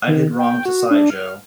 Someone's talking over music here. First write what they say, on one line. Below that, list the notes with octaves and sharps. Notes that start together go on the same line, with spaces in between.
I did wrong to sigh, Jo.
D#3
G5
F#4
D4
F6